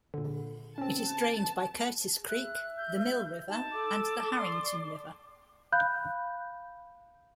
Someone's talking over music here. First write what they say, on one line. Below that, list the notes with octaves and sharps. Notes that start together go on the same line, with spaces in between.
It is drained by Curtis Creek, the Mill River and the Harrington River.
A#2 D3
C4 C#4 A5
E5 F#6
G6
D#4 A5
A4 D6
D5 C6
F5 B5 F#6 G6